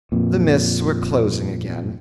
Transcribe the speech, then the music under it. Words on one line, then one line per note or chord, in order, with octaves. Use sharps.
'The mists were closing again.
F2 A#2